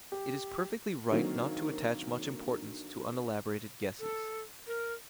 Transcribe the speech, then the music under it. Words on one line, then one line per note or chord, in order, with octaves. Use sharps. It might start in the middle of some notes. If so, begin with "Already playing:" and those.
It is perfectly right not to attach much importance to unelaborated guesses.
G4
D3 D#3 F#3 A#3 C4
A4
A#4